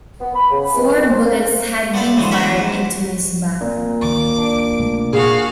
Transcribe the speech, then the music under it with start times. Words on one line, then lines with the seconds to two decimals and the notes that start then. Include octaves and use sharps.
Four bullets had been fired into his back.
0.21 B3
0.35 B5
0.51 C#3
0.75 C#2
0.96 D#3
1.09 C4
1.25 A#3
1.94 G3 B3 F4 A4 D5
2.17 G#2 D3 E3 F#3 G#3
2.31 E3 F#3 D4 F#4 G4 E5
2.59 G#2
3.61 A#2 C4 C#4
4.02 C#2 D#3 D6
4.38 D4
4.79 C3 G#3 A3
5.13 A#2 F#4 G#4 F5